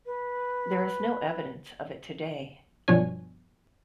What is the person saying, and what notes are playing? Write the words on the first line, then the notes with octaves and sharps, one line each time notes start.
There is no evidence of it today.
B4
G1 B2 F3 D4 C#5 G#5